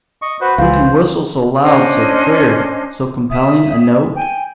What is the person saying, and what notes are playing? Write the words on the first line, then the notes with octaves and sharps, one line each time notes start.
Who can whistle so loud, so clear, so compelling a note?
D#5 C#6
F#4 B4 C5
C#2 E3 C5 F5
C#4 D4 C5 D#5
E5 D#6
G5 G#5